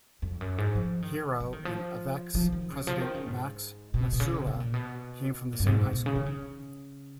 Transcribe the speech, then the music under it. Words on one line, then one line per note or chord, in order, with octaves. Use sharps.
Hiro and Avex's president Max Matsuura came from the same high school.
F2
F#2
G#2
F3
D#3
F3
D#3
F3
F3
D#3
C#3
F3
D#3
C#3
G#2
B2
B2
C#3
B2
A#2
B2
A#2
F#2
G#2
B2
C#3
D#3
C#3